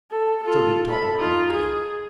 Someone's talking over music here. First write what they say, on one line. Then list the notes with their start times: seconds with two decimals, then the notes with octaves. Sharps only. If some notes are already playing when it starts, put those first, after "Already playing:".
So did Topper when he came.
0.12 A4
0.44 F4 A4
0.87 A4 B5
1.19 D#4 F4
1.53 G#4